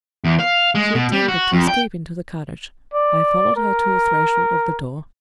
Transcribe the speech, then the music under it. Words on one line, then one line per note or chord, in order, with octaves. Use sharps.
She attempted to escape into the cottage; I followed her to the threshold of the door.
E2
F5
G#3
B2
G3
F#4
F2
G5
D5
A#4